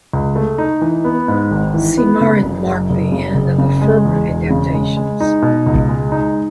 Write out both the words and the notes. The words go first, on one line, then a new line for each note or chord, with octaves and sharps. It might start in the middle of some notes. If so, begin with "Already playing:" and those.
"Cimarron" marked the end of the Ferber adaptations.
C#2
A3
D#4
E3
B3
G#2
G#1
E3
B3
C#3
F#1
F#2
F#1
C#3
F#1
C#3
G#3
E2
E1
C#3
G#3
G#3
D#4
B2
C#2
G#3
D#4